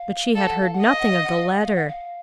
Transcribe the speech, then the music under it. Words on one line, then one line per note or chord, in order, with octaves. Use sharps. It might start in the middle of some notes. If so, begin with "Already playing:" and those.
But she had heard nothing of the letter.
Already playing: F5
A4 F5
F#5
F5
F#5
D#5 F5
F#5
F5
F#5
F5
F#5
F5
F#5
F5